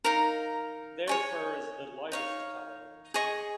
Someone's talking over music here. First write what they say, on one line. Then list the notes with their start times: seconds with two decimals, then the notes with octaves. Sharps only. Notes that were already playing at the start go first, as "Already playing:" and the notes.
Their fur is the lightest colour.
0.04 D#4 A#4 F5
1.08 C#5 G#5 C#6
2.12 D#4 C#5 F5
3.14 G#4 D#5 C#6